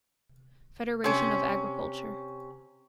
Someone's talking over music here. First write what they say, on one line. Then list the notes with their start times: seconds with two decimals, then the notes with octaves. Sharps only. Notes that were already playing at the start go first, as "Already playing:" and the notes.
Federation of Agriculture.
1.04 C3 C#4